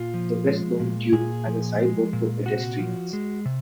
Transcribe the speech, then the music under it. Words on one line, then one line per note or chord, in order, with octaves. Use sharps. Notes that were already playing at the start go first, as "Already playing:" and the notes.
The westbound tube has a sidewalk for pedestrians.
Already playing: A#2 F4
F3
G#3
A#2
A#2 G#4
F3
G#3
A#2
C3 F#4
F3
G#3
C3